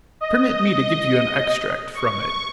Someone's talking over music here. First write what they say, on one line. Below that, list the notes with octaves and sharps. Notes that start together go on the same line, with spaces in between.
Permit me to give you an extract from it.
D#5
C#6